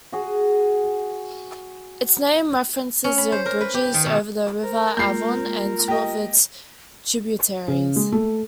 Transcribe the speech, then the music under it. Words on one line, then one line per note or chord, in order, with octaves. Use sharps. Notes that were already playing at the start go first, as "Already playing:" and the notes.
Its name references the bridges over the River Avon and two of its tributaries.
F#4 G#4
C#4
B5
C5
A#4
B4
G4
D#3
B2
A#4 C5
G#3 A#3 F4 G6 C7
G4 D#5
C#3
G#3
A3